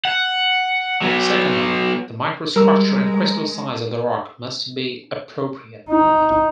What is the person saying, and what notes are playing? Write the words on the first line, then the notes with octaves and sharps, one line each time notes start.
Secondly, the microstructure and crystal size of the rock must be appropriate.
F#5
F#3 B3
G3 G#3 A#4 E6
D#4